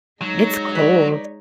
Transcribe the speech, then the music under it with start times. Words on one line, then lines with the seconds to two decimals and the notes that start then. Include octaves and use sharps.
It's cold.
0.21 F#3 G#3 D#4 C#5
0.75 B4 D5